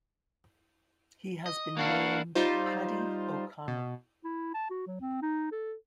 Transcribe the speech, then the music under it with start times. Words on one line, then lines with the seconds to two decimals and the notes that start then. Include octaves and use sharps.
He has been named Paddy O'Connell.
1.46 D#5
1.77 A#3 D4 E4 F#4 F5
2.35 G3 D#4 F4 C5
3.68 B2
4.24 E4
4.54 A5
4.70 F#4
4.87 F#3
5.01 C4
5.22 D#4
5.52 A4